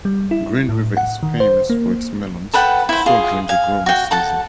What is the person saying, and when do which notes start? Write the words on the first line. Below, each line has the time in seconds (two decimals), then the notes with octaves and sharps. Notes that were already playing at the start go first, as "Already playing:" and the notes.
Green River is famous for its melons, sold during the growing season.
0.05 G3
0.31 E4
0.69 A2
0.97 F#5
1.23 D#3
1.40 C5
1.70 A#3
2.53 A4 B4 F#5 G5
2.89 E4 C5
3.06 F4 G#4
3.49 F5 G#5
3.86 F#4 G5
4.11 A4 F#5 A5